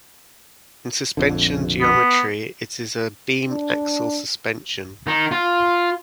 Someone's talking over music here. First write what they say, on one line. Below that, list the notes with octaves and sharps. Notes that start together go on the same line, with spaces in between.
In suspension geometry it is a beam axle suspension.
A#1 F2 D3
B3
D4
D#3 D#4
F4